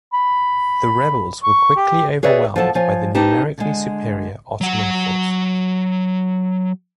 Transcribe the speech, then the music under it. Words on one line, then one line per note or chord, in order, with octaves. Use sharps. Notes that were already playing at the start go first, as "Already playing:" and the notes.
The rebels were quickly overwhelmed by the numerically superior Ottoman force.
B5
C#6
G4
G#4 B4 C#5 D5 E5
F3 F#3 A4 A5
F3 C#5 G#5
C4 D#4 G4 B4 A5
D3 G#3
F#3 F#5